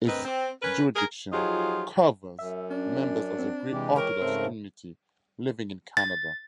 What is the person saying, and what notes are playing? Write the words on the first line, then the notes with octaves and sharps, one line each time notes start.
Its jurisdiction covers members of the Greek Orthodox community living in Canada.
D2 C4 A#4 B4 D#5
C4
C#4 A#4 B4
G#4 A#4
F3 F#3 D#4 F4 G4 G#4
F#2 E5
C#4 D4
C4
C3 E3 G#3 G4
A#4 C#5
G#2 C#3 A3 C4
A6